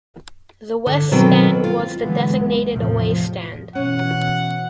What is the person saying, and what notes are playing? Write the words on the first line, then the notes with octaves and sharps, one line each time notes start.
The West Stand was the designated away stand.
D3
B2 D#3 F#3 C4 A4 G5
F4
D3 E3 F#3 G#3 B3
A#1
E2 A2 C3 F3
B2 E3 C#4 F#5